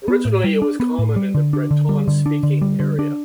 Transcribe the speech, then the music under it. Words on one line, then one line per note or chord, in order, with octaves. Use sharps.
Originally, it was common in the Breton-speaking area.
B3
A2
G3
D4
B3
A2
G3
D3
D4
D3
G3
D3
D4
D3
G3
D3
D4